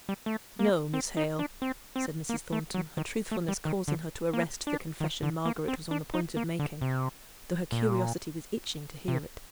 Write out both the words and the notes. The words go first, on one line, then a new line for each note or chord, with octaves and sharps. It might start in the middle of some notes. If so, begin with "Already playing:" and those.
'No, Miss Hale,' said Mrs. Thornton, her truthfulness causing her to arrest the confession Margaret was on the point of making, though her curiosity was itching to hear it.
G3
A3
A#3
C4
D#4
D4
C4
C4
A#3
A3
F#3
D#3
A3
G3
D#3
D3
A#3
D4
D#3
D3
A#3
C4
D4
D#4
A#3
D3
C3
A#2
C3